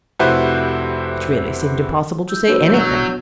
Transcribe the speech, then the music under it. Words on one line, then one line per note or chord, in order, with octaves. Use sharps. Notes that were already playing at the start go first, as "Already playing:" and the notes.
It really seemed impossible to say anything!
F1 C3 E4 F#4 B4 C5
E4 E6 G6
F#3 A#3 D4 F#4 B4 C#5
B2 F#3